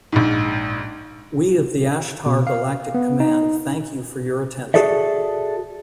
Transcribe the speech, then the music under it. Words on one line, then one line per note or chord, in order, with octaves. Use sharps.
We of the Ashtar Galactic Command thank you for your attention.
A#1 G#2
B2
F5
B3
D#4
F#4 G#4 A4 D5 E5